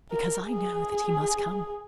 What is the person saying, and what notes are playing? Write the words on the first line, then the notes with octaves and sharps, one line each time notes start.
"Because I know that he must come."
A#4
G#4